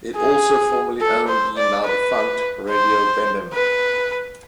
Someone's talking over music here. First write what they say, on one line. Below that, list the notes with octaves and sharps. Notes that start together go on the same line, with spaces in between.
It also formerly owned the now defunct Radio BemBem.
G#4
A4
C5
D5
B4
C5
B4